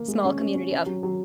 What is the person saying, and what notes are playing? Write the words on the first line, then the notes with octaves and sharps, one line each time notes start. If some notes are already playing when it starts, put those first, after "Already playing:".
small community of
Already playing: A#3
G#3
C#4
C#4
C#4
C#4
F#3
F#3